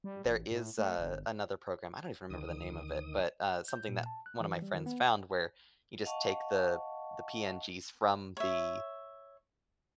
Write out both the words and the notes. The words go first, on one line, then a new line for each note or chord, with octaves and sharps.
there is a another program- I don't even remember the name of it, but, uh, something that one of my friends found where, you just take the the PNGs from the
G3
A1
A2
A3
G1
D2 D#3 D#6
G6
A#2
A5
F#6
E3
G3
D#3
B3
D#5 F5 F#5 A5 C#6
C#5 E5